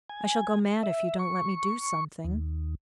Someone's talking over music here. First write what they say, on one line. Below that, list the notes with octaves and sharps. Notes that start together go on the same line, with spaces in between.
I shall go mad if you don't let me do something.
G#5
E5
C#6
D#2